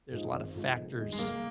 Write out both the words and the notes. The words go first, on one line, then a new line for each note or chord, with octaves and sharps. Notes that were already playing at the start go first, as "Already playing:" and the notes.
there's a lotta factors
G#2 F3 G#3 D#4
G#1
G#2 F3 G#3 D#4
F1
D#2 D#3 G#3
G#3
F1 A#3